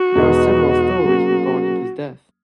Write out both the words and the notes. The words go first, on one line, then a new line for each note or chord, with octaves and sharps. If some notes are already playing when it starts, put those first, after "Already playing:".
There are several stories regarding his death.
Already playing: F#4
E2 B2 G#3 B3 D#4
F#3 A#3 C#4 G#4